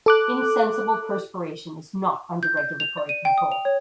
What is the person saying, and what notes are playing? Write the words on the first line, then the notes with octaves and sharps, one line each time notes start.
Insensible perspiration is not under regulatory control.
A4 D6 F#6
G6
G6
F7
D5
D#7
G5
D#6
F7
C#5